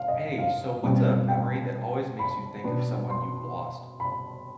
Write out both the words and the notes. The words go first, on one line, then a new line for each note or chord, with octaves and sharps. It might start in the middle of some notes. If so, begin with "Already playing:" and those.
Hey, so what's a memory that always makes you think of someone you've lost?
Already playing: F5
D#5
F5
B2 G3 C4
G5
B5
B2 B3 D4
C6
B5